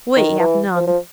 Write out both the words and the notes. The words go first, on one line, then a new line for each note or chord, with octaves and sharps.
We have none.
D#3
E3
F3
F3